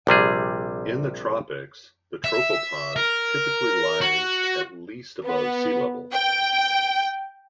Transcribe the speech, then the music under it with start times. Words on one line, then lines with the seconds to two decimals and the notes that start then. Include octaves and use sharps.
In the tropics, the tropopause typically lies at least above sea level.
0.07 A#1 C3 G3 G#4
2.24 E5
2.96 A#4
4.01 F#4
5.24 B3
6.13 G5